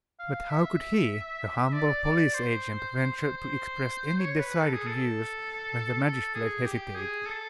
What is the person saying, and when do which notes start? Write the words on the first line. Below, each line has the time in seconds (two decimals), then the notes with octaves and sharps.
But how could he, a humble police agent, venture to express any decided views when the magistrate hesitated?
0.19 F5
0.50 E5
1.73 D5
2.04 D5
2.34 C5
2.96 C5
3.17 C5
3.37 C5
4.19 C#5
4.39 B4
4.60 A4
4.74 G#4
4.87 A4
6.03 A4
6.35 G#4
6.65 G4
6.95 G#4
7.27 A4